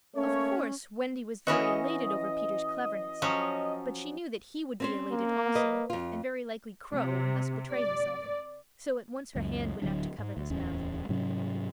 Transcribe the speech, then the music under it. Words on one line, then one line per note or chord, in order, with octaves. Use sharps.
Of course Wendy was very elated over Peter's cleverness; but she knew that he would be elated also and very likely crow and thus betray himself, so at once her hand went out to cover his mouth.
A3 A#3 C#4 C#5
E3 C#4 F#4 D#5
F3 F#3 C#4
C4 C#4 C5
A#3
B4 D#5
F2 F4
C3
D5
C#2 F#2
D1 D3 F#3 D4
G#2
D2
D1 E2 C#4
G#2 C3 F#3 C#4